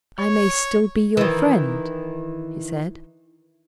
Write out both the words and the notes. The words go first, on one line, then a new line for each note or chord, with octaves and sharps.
"I may still be your friend?" he said.
C#5
D#3 E3